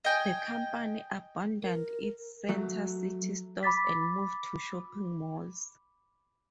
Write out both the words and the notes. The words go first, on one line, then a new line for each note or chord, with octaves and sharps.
The company abandoned its center-city stores and moved to shopping malls.
D#5 G5 G#5
A#4
F#3 A3
B5 D6 A6 B6